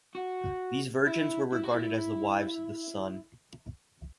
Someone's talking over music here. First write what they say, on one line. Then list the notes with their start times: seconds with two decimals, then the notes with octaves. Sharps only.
These virgins were regarded as the wives of the Sun.
0.15 F#4
1.07 E4
1.52 E4
1.64 F#4
1.74 E4